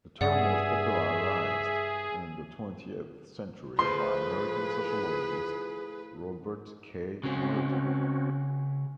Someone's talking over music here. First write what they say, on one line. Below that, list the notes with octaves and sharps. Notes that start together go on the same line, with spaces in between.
The term was popularised in the twentieth century by American sociologist Robert K. Merton.
G2 G#4 D5 E5 F#5
A2 F3 G#4 B4 C6
C#3 G#3 C4 C#4 F#4